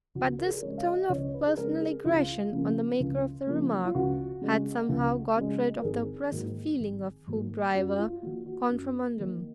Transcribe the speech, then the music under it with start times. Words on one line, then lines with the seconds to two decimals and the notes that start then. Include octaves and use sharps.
But this tone of personal aggression on the maker of the remark had somehow got rid of the oppressive feeling of Hoopdriver contra mundum.
0.15 C#2 F#4
0.39 A#4
0.46 G#4
0.53 A#4
0.62 C#3 G#3 C#5
0.78 F5
0.85 D#5
1.09 C#2 C#5
1.34 B4
1.47 G#4
1.57 C#3 G#3 A#4
1.81 G#4
2.05 C#2 F4
2.53 C#3 F3 A#3
3.00 C#2
3.47 C#3 F3 A#3
3.85 F4
3.95 C#2 F#4
4.42 C#3 G#3
4.89 C#2
5.36 C#3 G#3
5.77 A#4
5.84 G#1 G#4
6.32 G#2 D#3 F#3 A#3
6.80 G#1
7.27 G#2 D#3 F#3 A#3
7.74 F#2 F#4
7.99 F4
8.22 D#3 A#3 F#4
8.46 F#4
8.69 F#2
9.17 D#3 A#3